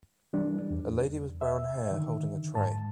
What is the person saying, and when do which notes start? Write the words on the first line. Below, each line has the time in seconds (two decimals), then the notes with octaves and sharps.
A lady with brown hair holding a tray.
0.33 E3 G3 D4
0.71 E2
1.41 E5
1.91 D3 D#3
2.55 G#2 A5